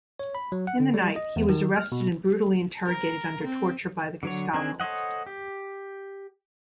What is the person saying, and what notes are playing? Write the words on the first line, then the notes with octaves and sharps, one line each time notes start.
In the night he was arrested and brutally interrogated under torture by the Gestapo.
C#5
B5
F#3
F#5
D3
G3
D#5
E2
D#3
F6
B2
A#4
C4
D3 F#3 C#5
D#3 C4 D4 G#4 G#5
A4 C5 C#5 D#5 F#5
G4